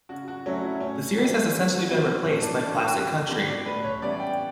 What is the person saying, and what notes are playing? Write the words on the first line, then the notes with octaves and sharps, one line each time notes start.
The series has essentially been replaced by Classic Country.
C#3 F#4
F#4
F#3 A3 C#4
E4
A2 C#4
E3 G3 B3
D3
G3 B3
A2 C#4
D4
E3 A3 D4
F#4
C#3 G4
G4
G3 B3 F#4
D5
A2 B4
C#5
E3 G3 B3 D5
G5